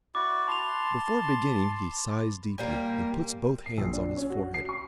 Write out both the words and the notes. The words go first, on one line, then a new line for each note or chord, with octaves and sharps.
Before beginning, he sighs deeply and puts both hands on his forehead.
E4 F#4 D5 D6
A5 B5 C6 F7
A#2 G3 A#3
C7
A#1
D4
C#4
F#4
C7
C#6